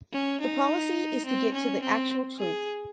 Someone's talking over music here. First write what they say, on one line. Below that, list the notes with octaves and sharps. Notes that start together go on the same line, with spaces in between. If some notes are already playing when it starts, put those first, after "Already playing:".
The policy is to get to the actual truth.
C#4
D#4
C4
C#4
C4
G#4